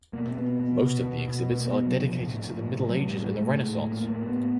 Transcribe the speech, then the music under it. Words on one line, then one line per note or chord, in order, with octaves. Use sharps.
Most of the exhibits are dedicated to the Middle Ages and the Renaissance.
B2 A#3
C4
B2 B3
B2 B3
B2
B2
B2
B2 B3
A#3
B3
B2
F#3
B2
F3
A2
A2
A2
A2 F#3
G3
A2
G#3
A2
A3
A2 G#3
A2 A3
A#3
A2
A#3
A2 B3